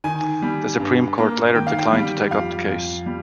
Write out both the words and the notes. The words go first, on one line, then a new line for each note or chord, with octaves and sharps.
The Supreme Court later declined to take up the case.
D#3 G#5
G3
G2
A#3
D#3 G5
F5
G5
G3
F2 F5
F2
G3